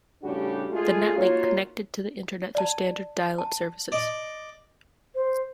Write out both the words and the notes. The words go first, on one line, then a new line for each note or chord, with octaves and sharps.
The Net Link connected to the internet through standard dial-up services.
A2 C#3 G3 D4 F#4 G4
G#3 A3 F4 F#4 G#4
A#3 D#4 F4 F#4 C#5
D5 A5
A5
D5 D#5
C5